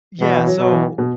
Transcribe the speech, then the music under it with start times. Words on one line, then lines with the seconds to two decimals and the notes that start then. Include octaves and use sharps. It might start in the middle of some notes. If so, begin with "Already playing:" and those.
Yeah, so
0.20 B2 E3
0.37 E3
0.47 F#3
0.59 B2 F#3
0.72 E3
0.98 B2